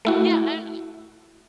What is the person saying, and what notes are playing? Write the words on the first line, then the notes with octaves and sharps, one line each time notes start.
Yeah, and
A3 E4 F#4